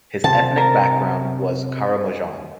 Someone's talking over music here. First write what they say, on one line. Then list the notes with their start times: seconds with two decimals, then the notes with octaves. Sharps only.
His ethnic background was Karamojong.
0.24 C3 A5
0.58 A#4